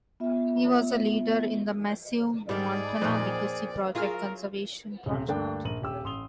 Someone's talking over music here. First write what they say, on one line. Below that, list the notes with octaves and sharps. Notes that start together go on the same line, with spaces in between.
He was a leader in the massive Montana Legacy Project conservation project.
B3 F4 E5
G#2 D#3 G3 G#4 D5
F2 A#2 C4 D#4 F#6
F#3 F4 G#4 A#4 F6
D#1 C3
D2 G2 A3 A#3 D4 G5
A#1 A#4 D#7 F#7
D#1 G4 E6
A1 C6 D#6 F7 G7